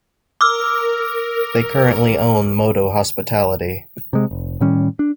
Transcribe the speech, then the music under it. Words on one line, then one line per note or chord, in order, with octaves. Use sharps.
They currently own Moto Hospitality.
A#4 D6 E6 F6
C3 G#3
F1
A2 D#3 G3 C#4
D4